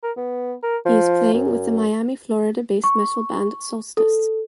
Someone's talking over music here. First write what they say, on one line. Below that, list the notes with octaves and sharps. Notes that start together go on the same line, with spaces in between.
He is playing with the Miami, Florida based metal band Solstice.
A#4
B3
A#4
F3
F#2
C#6
A4